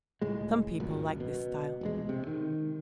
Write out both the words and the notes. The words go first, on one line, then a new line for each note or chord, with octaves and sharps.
Some people like this style.
C#2 A2 G#3
G#1 C#2 F#2 A#2
B2
E1 A#1 G#3
C3
D#3